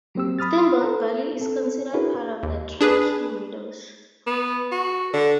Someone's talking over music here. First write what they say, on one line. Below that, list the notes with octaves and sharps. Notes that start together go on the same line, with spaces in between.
Steamboat Valley is considered part of the Truckee Meadows.
F#3 A#3 C4 G4 E6
B5 D#6 F6 A6
A4 C5 A#5
C4 A4
D4 E4 F#4 G#4 A#4 B4
D#2
D4 G#4 B4
B3
F#4
D3